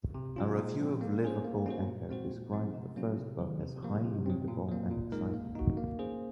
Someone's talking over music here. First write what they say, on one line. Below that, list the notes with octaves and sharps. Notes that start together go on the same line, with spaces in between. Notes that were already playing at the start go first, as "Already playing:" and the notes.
A review of "Liverpool Echo" described the first book as "highly readable and exiting".
C3
F#3 C#4 F4
A#2
F3 C4
A#3
C#4 G#4 C5
A#3
C#4 F#4 C5
A#2
G#3 C4 F#4 C5
A#2
F3 C4 D#4
C3
F#3 A#3 C#4 F#4
C3
D#3 F#3
C3
F3 A#3
C3
F#3 C4
A#2
F#3 A#3
A#2
G#3 D#4 A#4
A#3
D#4 F#4
A#3
C#4 G#4 C5